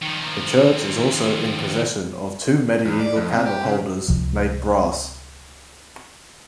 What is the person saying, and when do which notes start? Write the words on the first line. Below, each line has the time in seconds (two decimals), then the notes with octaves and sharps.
The church is also in possession of two medieval candle holders made brass.
0.02 D#3 F3
2.86 E2
3.00 D5
3.16 F2
3.33 C3
3.46 G4
3.65 C#3
4.08 C#2 C3 F3